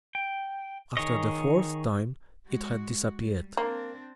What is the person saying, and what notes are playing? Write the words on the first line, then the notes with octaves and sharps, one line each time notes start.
After the fourth time, it had disappeared.
G5
D#3 G#4 C#5 D#5
G#3 F#4
G3
A#3 C4 D4